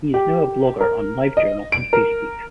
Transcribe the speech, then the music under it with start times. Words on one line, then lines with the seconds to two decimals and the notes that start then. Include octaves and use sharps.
He is now a blogger on LiveJournal and Facebook.
0.14 G4
0.81 A#4
1.37 D#5
1.72 D7
1.93 A#4